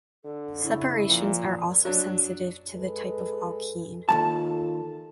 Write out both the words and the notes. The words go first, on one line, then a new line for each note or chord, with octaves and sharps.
Separations are also sensitive to the type of alkene.
D3 A4
C#3 E4
A#2 F3
F#3 D4
G#3 A4 B4
D#2 F#3 F4 A4 A5